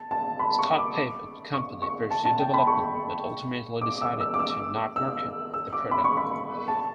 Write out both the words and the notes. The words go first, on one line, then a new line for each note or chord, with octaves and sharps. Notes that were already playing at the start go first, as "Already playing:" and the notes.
Scott Paper company pursued development, but ultimately decided to not market the product.
Already playing: A5
A5
B5
C#6
D6
C#6
C#6
A5
A5
G5
B5
C#6
D6
E6
E6
D6
E6
E6
E6
D6
B5
C#6
B5
A5